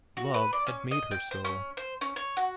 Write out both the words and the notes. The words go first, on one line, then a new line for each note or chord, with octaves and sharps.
Love had made her so.
F#4
B4
D5
C#4
D#5
G5
C5
C#4
C5
C#4
C#5
F#4